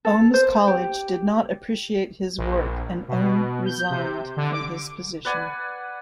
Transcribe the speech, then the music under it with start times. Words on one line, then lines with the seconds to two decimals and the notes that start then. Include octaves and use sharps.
Ohm's college did not appreciate his work and Ohm resigned from his position.
0.05 A4
0.34 C5
0.68 G4
2.38 A#1
3.08 B2
3.66 G6
3.90 C3
4.37 D3
4.52 D6
5.25 B4 D5 F#5 G#5